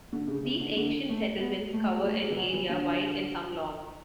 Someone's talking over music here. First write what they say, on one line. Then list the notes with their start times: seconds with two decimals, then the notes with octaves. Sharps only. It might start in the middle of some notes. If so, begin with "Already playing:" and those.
These ancient settlements cover an area wide and some long.
0.13 D3
0.28 C#3
0.44 C#3
0.60 D3
0.77 D3
1.09 A3
1.40 B3
1.73 A3
1.97 G#3
2.05 A3
2.21 G#3
2.30 E3
2.37 F#3
2.53 E3
2.69 D3